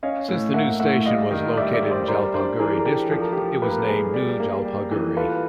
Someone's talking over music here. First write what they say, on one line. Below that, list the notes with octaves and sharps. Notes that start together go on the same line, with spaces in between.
Since the new station was located in Jalpaiguri district, it was named New Jalpaiguri.
C#4 D#5 F5
A2
A#3 E5 F#5
A2 E5 F#5
G3 D#5 F5
D#3
G3 D5 E5
D5 E5
G3
C5 D5
G3 A#4 C5
D4 A#4 C5
E3 G#4 A#4
A#4
D4 G4 A4
F3 A4
A#4
G4 A4
F3
A#3 B4
A#4
A4
A#2 G#4 A#4
G3
A#3
G3
E3
F4 A4 B4